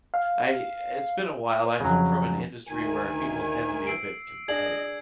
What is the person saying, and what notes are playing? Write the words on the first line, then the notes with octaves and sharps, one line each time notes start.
I eh, it's been a while. I come from an industry where people tend to be a bit competitive
F5
F2 C#3 F#3
D2 D#3 G#5
E6 C7 D7
D4 G#4 D#5 G#6 F#7